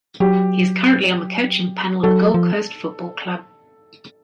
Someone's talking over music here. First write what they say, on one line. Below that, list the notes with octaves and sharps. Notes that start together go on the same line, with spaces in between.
He is currently on the coaching panel of the Gold Coast Football Club.
F#3 G4
F#3 A4
F3